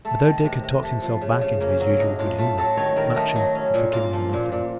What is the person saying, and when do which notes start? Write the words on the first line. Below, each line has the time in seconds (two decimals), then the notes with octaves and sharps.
But though Dick had talked himself back into his usual good-humour, Matcham had forgiven him nothing.
0.05 A3 A4
0.25 D#3
0.44 C3
0.64 C3
0.83 A3
1.02 F3
1.21 C#3
1.41 C#3
1.60 A#3 C#4
1.80 F#3 C#4
1.99 A2 D#4
2.19 A2 F4
2.38 A3 F4
2.58 F#3 A4
2.77 D#3 C#5
2.96 D#3 A#4
3.16 A3 D#4
3.35 F#3
3.55 C#4
3.74 A#2
3.93 A#3 F4
4.13 F3
4.33 A#2
4.52 A#2